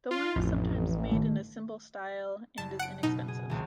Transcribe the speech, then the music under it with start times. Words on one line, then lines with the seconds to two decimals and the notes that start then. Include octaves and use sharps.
The wine is sometimes made in a simple style and is inexpensive.
0.11 F4
0.36 A1 F2
1.12 D#3 A3
2.58 F#1 A5
2.79 F#5 D7
3.03 B2 D#4
3.28 G#4
3.50 D#1 C#2 C4